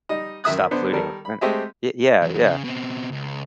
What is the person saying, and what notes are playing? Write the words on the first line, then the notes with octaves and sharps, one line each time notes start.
stop polluting the planet it Yeah, yeah.
G3 D#4 D#5
F#2 D#3 E5 D#6 F#6
D3 B3 C5
D#3 G3 A4 A#4
B5
G#3 A3 C4 G4 D#5 E5
E2 F#3
C#3
B2 C4
C#2